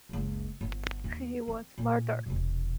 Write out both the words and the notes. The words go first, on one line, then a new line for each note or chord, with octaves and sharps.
He was murdered.
F#1 C#2
G1
D#2
C4
A#2
E1 C3